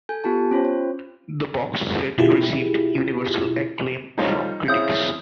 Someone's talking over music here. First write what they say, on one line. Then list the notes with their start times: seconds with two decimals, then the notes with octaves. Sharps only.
The box set received universal acclaim from critics.
0.09 A4 G#5 G6
0.24 B3 F4 G4 A5
0.51 C#4 F4 C5 C#5
0.65 C#5
2.18 B2 E4 F4 G4 G#4
4.18 G3 D#4 F4 A4 C5 C#5
4.68 C#3 C4 E4 F5 D#6 G6